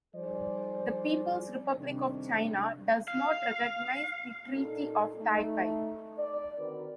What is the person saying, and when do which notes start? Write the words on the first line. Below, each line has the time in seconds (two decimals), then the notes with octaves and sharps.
The People's Republic of China does not recognize the Treaty of Taipei.
0.14 F3 G3 D#4 G#4 C5 D5
1.76 F2 C3 D#3 G3 C#4 D4
3.08 F5
4.55 A#2 D#4 A4
5.19 A3 D#4
6.18 D5
6.58 D3 D#3 C4 F#4 A#4 B4